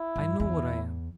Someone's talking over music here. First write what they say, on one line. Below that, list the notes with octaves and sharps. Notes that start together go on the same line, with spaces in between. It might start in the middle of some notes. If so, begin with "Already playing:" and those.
I know what I am.
Already playing: E4
G2
E2 E4